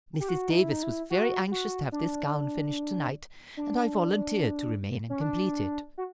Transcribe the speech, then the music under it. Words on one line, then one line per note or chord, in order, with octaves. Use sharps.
"Mrs. Davis was very anxious to have this gown finished to-night, and I volunteered to remain and complete it."
G4
F#4
D#4
E4
D#4
E4
F#4
F#4
D4
D4
C#4
D4
F#4